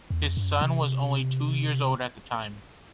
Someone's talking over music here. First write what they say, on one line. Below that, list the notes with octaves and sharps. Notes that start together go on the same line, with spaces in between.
His son was only two years old at the time.
E2
F2
G2
F#2
C3